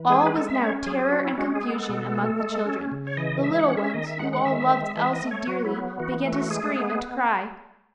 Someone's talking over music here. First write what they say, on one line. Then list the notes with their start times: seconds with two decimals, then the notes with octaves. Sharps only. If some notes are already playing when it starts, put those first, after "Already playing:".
All was now terror and confusion among the children; the little ones, who all loved Elsie dearly, began to scream and cry.
Already playing: E3
0.10 G#3 G#4
0.26 B4
0.35 G#3 A4
0.48 E5
0.61 C#4 C#5
0.86 F#3 G#4
0.99 G#4
1.12 C#4 F#4
1.24 E4
1.38 G#3 F#4
1.55 G#4
1.63 B3
1.72 A4
1.89 B2
2.15 A3
2.40 G#3
2.66 C#4
2.92 C#3
3.07 C#5
3.17 E3 D#5
3.43 G#3 E5
3.59 F#5
3.69 C#4
3.77 E5
3.94 D#3 D#5
4.07 E5
4.19 G#3 F#5
4.33 F#5
4.45 D#3 E5
4.71 G#3
4.97 E3 E5
5.13 D#5
5.22 A3
5.31 C#5
5.47 F#3 F#4
5.65 E4
5.73 B3
5.99 E3 F#4
6.25 A3
6.33 F#4
6.50 G#3 G#4
6.76 B3 G#4